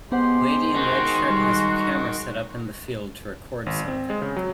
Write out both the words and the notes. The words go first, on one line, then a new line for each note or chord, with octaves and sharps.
Lady in red shirt has her camera set up in the field to record something.
G#3 B3 G4 C5 F#5 C6
D#3 F#4
G3 F6
G#1
C4
G#3
C#3
F#3